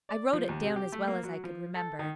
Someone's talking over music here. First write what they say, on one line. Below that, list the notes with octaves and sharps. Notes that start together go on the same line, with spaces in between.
I wrote it down as well as I could remember.
D5
F3
D#2
C3
G4
A3
A#3
F#3
F3
A4
D#3